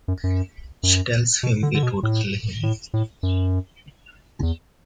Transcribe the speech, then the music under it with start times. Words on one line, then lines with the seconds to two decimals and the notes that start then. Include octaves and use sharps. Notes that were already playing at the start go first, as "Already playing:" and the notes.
She tells him it would kill him.
0.08 F#2
0.24 F#2
0.83 F#2
1.43 B2
1.63 D3
1.74 D3
1.83 B2
2.03 A2
2.63 A2
2.94 A2
3.23 F#2
4.43 E2